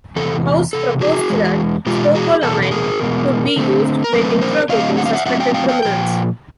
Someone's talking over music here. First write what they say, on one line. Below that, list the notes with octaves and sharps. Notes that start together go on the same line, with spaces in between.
House proposed that scopolamine could be used when interrogating suspected criminals.
E2 C3 A4
E2 C3 A4
F#4 G#4
E2 B2 G#3
E2 B2 G#3 F4 G4
F#4 G#4
E2 B2 A4
A4
G#4 A#4
E2 B2 G#3
D3 F#3 A3 C4
A#4
D3 F#3 A3 C4 A4 B4
A#4 C5
D3 F#3 A3 C4 D#5 F5
F#5
F5
E5 F#5
D3 F#3 A3 C4 E5 F#5
F5 G5
F5 G5
F5 G5
A#2 F3 G5